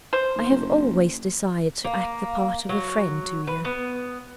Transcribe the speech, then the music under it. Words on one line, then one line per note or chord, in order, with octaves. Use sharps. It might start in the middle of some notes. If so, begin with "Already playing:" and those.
I have always desired to act the part of a friend to you.
C5
D#2
F#1
A#3
F#3
B4
B3